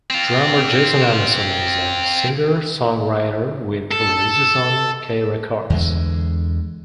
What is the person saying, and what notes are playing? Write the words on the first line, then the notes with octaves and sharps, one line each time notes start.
Drummer Jason Anderson is a singer-songwriter with releases on K Records.
C4 F4
A4
E2 D3 G#3